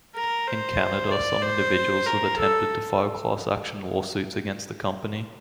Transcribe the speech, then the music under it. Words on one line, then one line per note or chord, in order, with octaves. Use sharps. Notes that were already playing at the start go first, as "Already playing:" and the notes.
In Canada, some individuals have attempted to file class action lawsuits against the company.
A#4
C5
D5
C5
A#4
A4